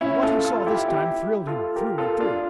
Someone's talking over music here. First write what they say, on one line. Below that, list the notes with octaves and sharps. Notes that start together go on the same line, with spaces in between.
And what he saw this time thrilled him through and through.
C#4 E4
F4 A4
F4 A4
E4 G4
E4 G4
F4 A4
G4 A#4
F4 A4
D4 F4